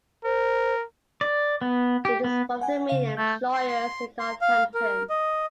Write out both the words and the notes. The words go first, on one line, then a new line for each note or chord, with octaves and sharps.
It is one of the main employers in Northampton.
A#4 C5
D5
B3
G4
B3
F#5 G#5
C#3 F5
A3 G6
C6
C6
C6
F5
A#4
D#5